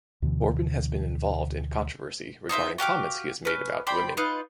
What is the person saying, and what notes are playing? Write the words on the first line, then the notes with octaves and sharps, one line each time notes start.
Corbin has been involved in controversy regarding comments he has made about women.
D2 B2 D3 E3
D#4 F4 C5 E5
F#4 G4 F5 D6
C#4 B4
C5 D5 G5 B5
D#4 F4 B4